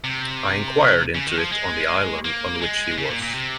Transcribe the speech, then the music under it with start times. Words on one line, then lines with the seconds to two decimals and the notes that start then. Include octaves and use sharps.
I inquired into it on the island on which he was.
0.04 C3
1.15 C#3
1.26 D#3
1.39 F3
1.51 G#3
2.25 A#3
2.61 G#3
2.98 C#3
3.10 A#2
3.22 A#2
3.34 C3